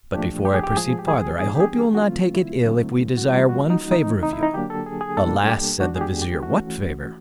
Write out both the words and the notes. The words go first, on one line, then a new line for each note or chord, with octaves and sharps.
But before I proceed farther, I hope you will not take it ill if we desire one favour of you." "Alas!" said the vizier, "what favour?
A#2 F3 A3 D4 G4
G4
G#4
G4
A2 F3 G#3 G#4
G4
G#4
E3 G3 B3 D4 G#4
G4
G#4
A4
F#4
D3 F#3 A3 C4 F4
E4
D3 F#3 A3 C4
F#4
E3 G3 A#3 C#4 F4
F#4
D#4
C3 E3 A3 C4 D#4
D#4
E4
D#4
D3 F#3 A#3 D4 G4
A4
G#4
G#4
B2 G3 A#3 D4 A4
G4
D#3 G#3 B3 D4 F#4
G#4
G4
G4
E3 A3 C#4 F#4